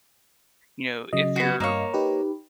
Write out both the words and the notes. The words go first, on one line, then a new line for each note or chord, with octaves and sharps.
you know, if you're,
C#3 F#3 D#5
B3 F#4
G2 A#3 C#5 D#5 F5
D#4 G4 B4